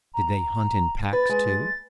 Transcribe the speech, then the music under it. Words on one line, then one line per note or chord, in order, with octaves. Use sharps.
Did they hunt in packs, too?
A#5
B4 A6
G#3